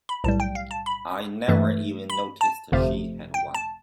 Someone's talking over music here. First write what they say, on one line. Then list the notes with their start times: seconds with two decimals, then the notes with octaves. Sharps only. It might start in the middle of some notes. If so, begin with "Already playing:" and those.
I never even noticed she had one.
0.09 B5
0.24 B1 A2 G3 A5
0.40 G5
0.55 F5
0.71 A5
0.86 B5
1.48 G2 E3 A3
2.10 B5
2.41 A5
2.72 G1 F2 C3 F3 A3
3.34 G5
3.54 A5